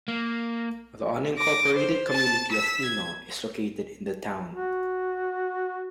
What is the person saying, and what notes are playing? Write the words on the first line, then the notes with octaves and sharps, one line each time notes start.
The unincorporated community of Ino is located in the town.
A#3
D6 A#6
C5
A5 A6
E6 B6
G#6
F#4